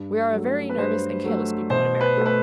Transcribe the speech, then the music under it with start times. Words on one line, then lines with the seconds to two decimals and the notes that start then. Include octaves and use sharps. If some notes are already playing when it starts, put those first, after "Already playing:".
We are a very nervous and careless people in America.
Already playing: G2
0.32 F#3
0.37 A3
0.69 B4
0.78 G2 C5
1.24 F#3 A3
1.70 B2 C5
2.01 B4
2.17 A3
2.26 B4